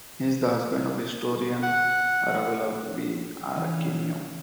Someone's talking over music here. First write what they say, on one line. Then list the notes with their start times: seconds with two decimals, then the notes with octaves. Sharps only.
He is the husband of historian Arabela V. Arcinue.
1.63 F#5
3.55 C#3 E3 C#4 D4 F4